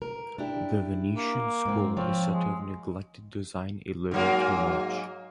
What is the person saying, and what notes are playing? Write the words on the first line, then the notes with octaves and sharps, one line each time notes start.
The Venetian school is said to have neglected design a little too much.
A#4
D4 E4 G4
A#3
G#2 C4
F3 C4 C#5
G#3
G#2 F#3 A#3